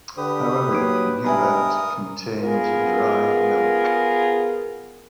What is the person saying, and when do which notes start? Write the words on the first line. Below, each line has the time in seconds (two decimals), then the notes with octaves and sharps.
However, U-bet contains dry milk.
0.17 D3 G4 B4 D#6
0.71 F#3 A#3 D#4 D7
1.24 G2 A#4 E5 G#5 B5 D#6
2.42 B3 F4 G#4 A#4